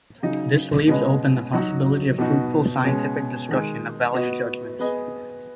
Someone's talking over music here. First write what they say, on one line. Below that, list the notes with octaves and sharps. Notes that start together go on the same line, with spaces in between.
This leaves open the possibility of fruitful scientific discussion of value judgments.
C#3 F#3 D#4
B2 G#3 C#4 B4 D#5
F#3 D#4 F#4
B2 B3 D#4 F#4
B2 G#3 C#4
D#3 G#3 D#4
B3 F#4 D#5
B3 G#4 B4 D#5